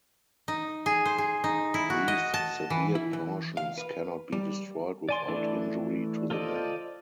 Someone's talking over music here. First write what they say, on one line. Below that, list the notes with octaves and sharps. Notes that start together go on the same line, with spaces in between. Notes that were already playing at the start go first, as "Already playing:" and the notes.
These severed portions cannot be destroyed without injury to the man.
D#4
G#4
C5
G#4
D#4
E4
F#4
D#5
A5
E3
E4
E3
F5
B4
G3
D5 G#5 C6
E3 A3 D4 E4 D5
F4 A4 C5 D5 D#5